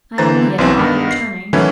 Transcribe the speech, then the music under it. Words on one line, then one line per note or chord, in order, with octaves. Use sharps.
I am only at an awkward turning.
D3 E3 C5 A#5 A6
B1 B2 E3 C4
G2 D#3 B3
C7
D#3 E3 F#3 A3 C#4 E4